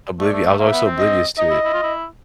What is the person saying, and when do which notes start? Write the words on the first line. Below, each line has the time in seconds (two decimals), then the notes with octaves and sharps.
obliviou I was always so oblivious to it,
0.19 A3 D5
0.33 A3
0.46 A3
0.59 A#3 E5
0.72 B3
0.85 C4
0.99 D#5
1.38 D#4 D#5
1.50 E4
1.64 E4
1.73 F4
1.83 E4